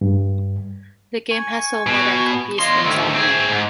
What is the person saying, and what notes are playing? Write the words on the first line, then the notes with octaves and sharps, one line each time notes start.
The game has sold more than copies in Japan.
G2
G#5 C#6
B2
E2 F4 C#5 D#5 C6
D2 D#3 E5 C#6
C4 G#4
G#2